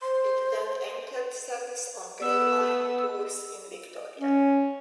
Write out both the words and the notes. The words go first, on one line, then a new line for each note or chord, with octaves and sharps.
It then entered service on Gray Line tours in Victoria.
C5 C6
B3 E6
C#4